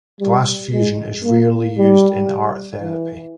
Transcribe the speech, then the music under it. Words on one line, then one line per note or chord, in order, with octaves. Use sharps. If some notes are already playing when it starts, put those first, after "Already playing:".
Glass fusion is rarely used in art therapy.
G3
G#3
A#3
G3
E3